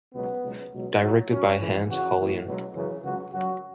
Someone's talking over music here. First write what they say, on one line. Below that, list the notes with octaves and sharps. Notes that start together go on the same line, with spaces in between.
Directed by Hans Hollein.
C#2 B2 F#3 B3
C#2 B2 F#3
C#2 B2 F#3
A2 F#3
F#2 F#3 C#4
C#2 C#3 E3
E2 C#3 E3 F#4
A2 E3
C#2 B2 F#3
F#2 C#3 E3
C#2 C#3 F#3 F#4
F#2 F#3 F#4